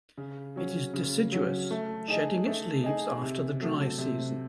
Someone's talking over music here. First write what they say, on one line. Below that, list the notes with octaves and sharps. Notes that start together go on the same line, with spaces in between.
It is deciduous - shedding its leaves after the dry season.
C#3
F#3 C#4
C#3
F#3 C#4
A3
D#4 G#4 D#5
A3
D#4 G#4 D#5
C3
F#3 A3
C3